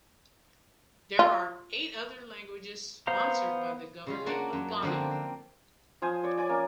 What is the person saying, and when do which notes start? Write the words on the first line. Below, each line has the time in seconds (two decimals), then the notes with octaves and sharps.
There are eight other languages sponsored by the Government of Ghana.
1.19 F4
3.07 B3 C5 F5 A#5
4.07 C#3 G#3 F4
4.26 A#3 D4 F#4 D5 F#5
4.53 F#2
4.83 D3 F3 A#3 C4 D4
5.11 C4
6.02 F3 C5 G#5 D#6
6.24 C#5 D5
6.37 D5 G#5 D6
6.49 A#3 C#4